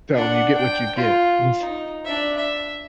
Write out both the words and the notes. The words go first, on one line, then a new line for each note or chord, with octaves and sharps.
Tell 'em, "You get what you get." That's
D4 F#5
G5
F4
D#4
D4 E5
E5